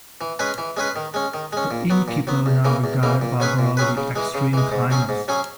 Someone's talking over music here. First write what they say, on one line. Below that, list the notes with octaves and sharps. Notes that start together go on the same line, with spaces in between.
The innkeeper now regarded Barbara with extreme kindness.
E3
G#3 C#4 G#4 B4
E3
G#3 C#4 G#4 B4
D#3
G#3 C#4
D#3
G#3 C#4
A#2
F#3 B3
A#2
F#3 B3
E2
C#3 E3 A#3
E2
C#3 E3 A#3
A#2
F#3 C#4 G#4 B4
A#2
F#3 C#4 G#4 B4
C#3
E3 G#3
C#3
E3 G#3
G#2
F#3 C#4 G#4
G#2
F#3 C#4 G#4